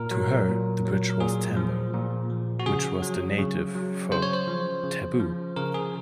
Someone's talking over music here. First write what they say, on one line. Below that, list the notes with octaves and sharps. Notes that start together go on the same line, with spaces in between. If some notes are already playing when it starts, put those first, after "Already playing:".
To her the bridge was tambo, which is the native for taboo.
Already playing: A#2 A#4
F#3
A#2
F#3
A#4
A#2 G#4
F3
A#2
F3
F#4
C#3 G#4
F#3
C#3
F#3
C#3 C5
C#5
C5
F3
C#3
F3
C#3 A#4
G#4